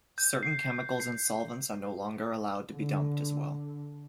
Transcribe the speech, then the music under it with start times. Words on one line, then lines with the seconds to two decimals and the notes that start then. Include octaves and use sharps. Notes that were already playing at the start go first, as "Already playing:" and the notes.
Certain chemicals and solvents are no longer allowed to be dumped, as well.
0.18 G6
0.43 C7
1.00 C7
2.69 D3